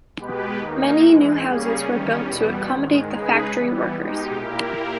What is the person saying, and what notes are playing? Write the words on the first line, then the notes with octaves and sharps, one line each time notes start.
Many new houses were built to accommodate the factory workers.
B2 G#3 B3 G4 B4
D#2 D#3 A#3 D#4
G#2 E3 G#3
C#3 G3 A#3 C#4 G#4
E2 D#3 G3 C#4
E2 B2 G3 B3
G#2 D#3 G#3
C#3 G#3 D#4 G#4 B4
E3 G3 B3
B2 G#3 D#4 G4
A#2 A#3 E4 G4 A#4